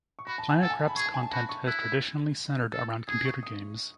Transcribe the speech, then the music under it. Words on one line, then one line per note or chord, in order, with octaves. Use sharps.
PlanetCrap's content has traditionally centered around computer games.
C#6
F#4 B5
A5
G#5
A4 F#5
G#5
A5
B5
G#4 C#6
A5
G#5
A5
F#4 B5
C#6
E4 F#6
A4
G#4 D#6
C#6
D#6